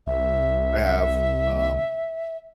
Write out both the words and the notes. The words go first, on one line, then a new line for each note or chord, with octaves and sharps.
I have, um,
C2 E5